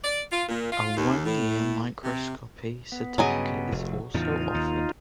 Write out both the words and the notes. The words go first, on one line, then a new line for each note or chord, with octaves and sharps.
A one-year Microscopy Certificate is also offered.
D5
F4
A#2
F4
D#2
A2
C3
B3
G2 C#3 F#3 G#4 D#5
F1
E2 A2 C#3 D#4 F4
D#2